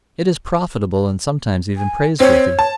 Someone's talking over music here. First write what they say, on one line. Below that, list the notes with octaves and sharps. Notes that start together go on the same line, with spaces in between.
It is profitable and sometimes even praiseworthy.
G#5
C4 C#5
A5